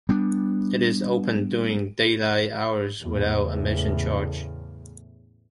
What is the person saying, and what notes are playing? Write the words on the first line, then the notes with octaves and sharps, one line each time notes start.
It is open during daylight hours without admission charge.
G3 B3 D4
E2 A2 C#3